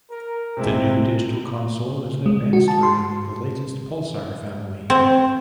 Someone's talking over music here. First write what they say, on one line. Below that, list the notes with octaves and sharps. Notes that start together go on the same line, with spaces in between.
The new digital console is an advanced version of the latest Pulsar family.
A#4
C3 G#3 C4 E4
G#3
F#4
A5
C6
C4